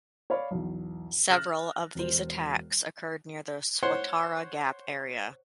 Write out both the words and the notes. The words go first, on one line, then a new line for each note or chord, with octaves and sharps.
Several of these attacks occurred near the Swatara Gap area.
C#5 D5 F5 B5
B1 E2
F6 F#6 A6 A#6 E7 F#7
E1 C5
C5 C#5 F#5 C6